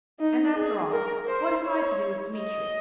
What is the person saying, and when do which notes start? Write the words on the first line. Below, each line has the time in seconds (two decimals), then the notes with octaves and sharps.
And after all, what have I to do with Dmitri?
0.20 D#4
0.56 G#4
0.92 A#4
1.28 C5
1.64 C#5
2.36 D#5